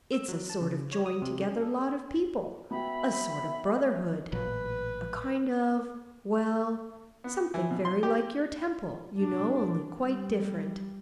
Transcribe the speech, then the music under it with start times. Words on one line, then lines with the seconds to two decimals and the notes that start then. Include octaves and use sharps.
'It's a sort of joined-together lot of people--a sort of brotherhood--a kind of--well, something very like your temple, you know, only quite different.'
0.13 E6
0.28 F#3
0.50 A5
0.61 C#3
0.93 C#5
1.06 D#6
1.22 C3
1.41 C#4
1.62 A4
2.71 B3 F#4 E5 G5 B5
4.32 A1 A#2 F#3 B4
7.24 B3
7.54 E3
7.71 B2
7.85 C6
8.03 G4
9.19 D4
10.01 G3